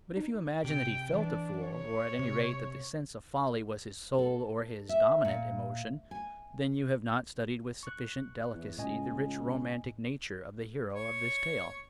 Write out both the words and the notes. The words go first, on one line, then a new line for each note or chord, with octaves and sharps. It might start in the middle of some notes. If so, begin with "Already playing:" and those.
But if you imagine that he felt a fool, or at any rate that the sense of folly was his sole or his dominant emotion, then you have not studied with sufficient delicacy the rich romantic nature of the hero of this tale.
D#4
C3 G5
E3 D4
C#5
C3
A4
E5
A#2
G#5
C#6 F#6
E2
C#2 A2 D#5 G#5
C#5